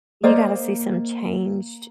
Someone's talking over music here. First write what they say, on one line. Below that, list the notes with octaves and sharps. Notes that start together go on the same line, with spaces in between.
you gotta see some changed
A#3 C5 D5 D#5